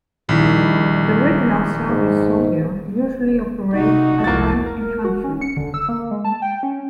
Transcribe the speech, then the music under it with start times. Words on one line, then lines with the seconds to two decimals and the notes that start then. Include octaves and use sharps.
The regular-service soldiers usually operate as light infantry.
0.29 A#1 A#2 D#3 G3 E4
1.89 G#2
3.74 C3 D#4 F#4
4.24 C2 F2 A#3 E4 A6
4.66 A#4
5.04 F#4
5.24 C#4
5.42 C#7
5.57 D3
5.74 E6
5.89 A#3
6.11 G#3
6.24 A5
6.42 G5
6.63 C#4